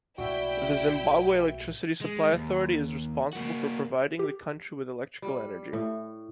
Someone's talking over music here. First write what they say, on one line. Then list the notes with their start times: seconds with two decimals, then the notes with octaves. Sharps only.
The Zimbabwe Electricity Supply Authority is responsible for providing the country with electrical energy.
0.18 B1 A2 D4 E4 F#4 D5 E5 G5
2.01 G#3
2.32 D#2
3.33 A#3 F#4
4.19 G4
5.22 G3
5.73 A2